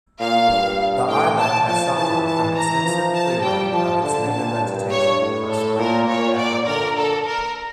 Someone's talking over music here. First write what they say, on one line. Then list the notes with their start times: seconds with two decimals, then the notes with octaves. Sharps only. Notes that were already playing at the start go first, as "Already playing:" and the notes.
The island has suffered from extensive clearing of its native vegetation for swidden agriculture.
0.20 A#2 F5
0.50 G2
1.08 A2 G5
1.38 A5
1.67 F3 A5
1.96 E3 A5
2.26 A5
2.55 E3 A#5
2.85 F3
3.14 A5
3.43 G3 G5
3.73 F3 A5
4.03 D3 A5
4.32 A#2 A5
4.61 G2
4.91 C#5
5.21 A2
5.49 A4
5.78 A#2 A#4
6.08 A#2 C#5
6.37 D5
6.67 D3 A#4
6.96 A4
7.26 A#4